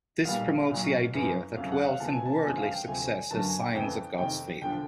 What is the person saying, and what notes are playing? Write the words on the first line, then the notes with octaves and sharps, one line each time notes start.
This promotes the idea that wealth and worldly success are signs of God's favour.
B1 A#2 G3 A#3 F5
A#1 A#2 F#3
F#2 C#3 E3
F2 C#3 F#3 A3 F5
F#5
F5
E2 C3 F3 G#3 A5
G#5
A5
G1 F2 C#3 F3 G#3 G#5
F5
G5
D2 C3 F3 A3 G#5
G1 F#2 D3 F#3 A#3 A5
G#5
G5
F2 C#3 E3 G5
F2 C3 D#3 G5
E1 D3 F3 G5